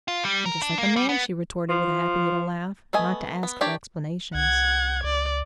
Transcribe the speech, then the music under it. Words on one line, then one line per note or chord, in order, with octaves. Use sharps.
"And just like a man," she retorted, with a happy little laugh, "not to ask for explanations."
F4
G3
A#4
D4
A#3
G3
B3
F3
A3 B3 D#5 G#5
B3
D4 G4 A#4 C#5 D5
C2 F#5 G#6
C#2 D5